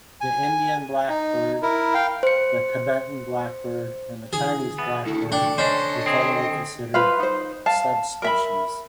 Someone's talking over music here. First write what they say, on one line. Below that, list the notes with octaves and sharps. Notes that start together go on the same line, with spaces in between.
The Indian blackbird, the Tibetan blackbird, and the Chinese blackbird were formerly considered subspecies.
G#5
D#4
E4 A#4
F5 G5
C5 C#7
D3 E3 G#4
B3 E5 A5
D2 D3 E4 A4 C#6
D4 G5
C#4 D4 C5 D#5
C4 G#4
F4 B4 C5 F5
D#4 C5
F5 A5
A#4 E5 B5